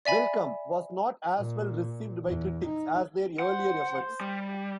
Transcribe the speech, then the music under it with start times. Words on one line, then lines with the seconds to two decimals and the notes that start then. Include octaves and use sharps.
"Welcome" was not as well received by critics as their earlier efforts.
0.05 D5 E5 G#5 B5
1.35 A#2
2.25 E2
2.65 D#4
3.39 C5 F#5
4.21 G3